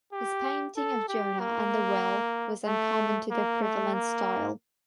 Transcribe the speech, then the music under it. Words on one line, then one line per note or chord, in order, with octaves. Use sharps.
His painting of "Jonah and the Whale" was uncommon to the prevalent style.
G4
A4
G4
A#3
A3
A#3
A3
A#3